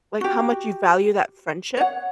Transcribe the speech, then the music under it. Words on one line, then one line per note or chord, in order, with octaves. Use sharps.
Like, how much you value that friendship?
F#4 G4
C#5 F#5